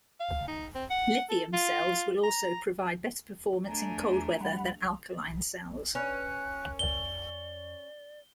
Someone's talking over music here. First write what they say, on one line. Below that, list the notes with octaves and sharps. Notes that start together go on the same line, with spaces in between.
Lithium cells will also provide better performance in cold weather than alkaline cells.
F5
D#4
C4
F#5
A4
F4
A#5
A3 D4 G#5 A#5
G3 F#5 B5
C#4 B4 C#5 F#6
F2 D5 G7